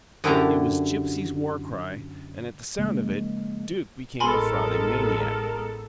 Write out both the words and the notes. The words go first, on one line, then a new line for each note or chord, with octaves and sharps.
It was Gipsy's war-cry, and, at the sound of it, Duke became a frothing maniac.
F#2 D3 E4 G4 A#5
C#3 F3 G#3 A#3
A1 G#3 B3 A4 A#4 G#5 B5 C6